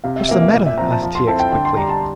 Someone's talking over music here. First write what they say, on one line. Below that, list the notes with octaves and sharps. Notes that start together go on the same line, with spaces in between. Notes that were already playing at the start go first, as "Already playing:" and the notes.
"What's the matter?" asked T. X. quickly.
C3 F5
E5
E3 A#3 E5
E5
A#2 E5
E5
F3 C4 A#5
A5
F3
C6
C4 E4 A4 A5
G5
D3 G5
C6
G3 D4 A#5
A5